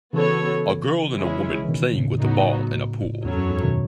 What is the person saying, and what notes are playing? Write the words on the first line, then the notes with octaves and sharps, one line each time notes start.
A girl and a woman playing with a ball in a pool.
C#3 E3 B3 F#4 A4 C#5
G#3 C#4 E4 G#4
E3
B2 D#3
A2 C#3
A2 C#3 F#3 B3 D#4 F#4
E2 F#3 C#4 E4 A4 C#5
F#2
E2 G#2
B2 D#3